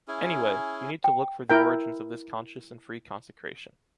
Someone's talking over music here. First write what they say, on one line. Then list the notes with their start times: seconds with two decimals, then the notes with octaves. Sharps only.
Anyway, you need to look for the origins of this conscious and free consecration.
0.08 C#4 E4 G#4
1.04 G5
1.50 E4 A#4 G5